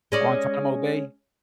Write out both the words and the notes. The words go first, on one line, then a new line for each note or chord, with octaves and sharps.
Guantanamo Bay?
G#3 C#4 D5